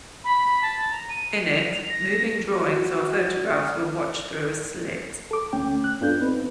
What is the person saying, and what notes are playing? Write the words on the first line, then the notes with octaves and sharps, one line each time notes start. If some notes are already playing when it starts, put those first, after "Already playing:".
In it, moving drawings or photographs were watched through a slit.
B5
A5
A#5
D#7
F7
A#6
F#4
A4 D6
D2 A3 C#4 G5
F#6
G2 B3 D4 F4 A4 G6
B3 C4 D#4 B4